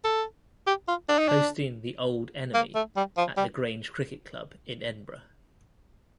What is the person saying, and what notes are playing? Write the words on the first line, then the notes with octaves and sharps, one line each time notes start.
Hosting the Auld Enemy, at the Grange Cricket Club in Edinburgh.
A4
G4
F4
D4
D#4
D4
A#3
A3
G3
F3
G3